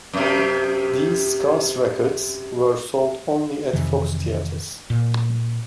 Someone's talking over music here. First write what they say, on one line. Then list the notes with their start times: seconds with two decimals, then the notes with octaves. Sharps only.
These scarce records were sold only at Fox Theaters.
0.13 F#2 C3
3.73 F2 C3 D#3 E3
4.90 A#2